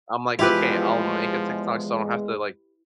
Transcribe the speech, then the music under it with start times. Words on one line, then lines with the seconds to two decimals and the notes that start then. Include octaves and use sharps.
I'm like, "Okay, I'll make a TikTok so I don't have to, like,
0.39 E2 F3 G#3 E4 F4 G4 B4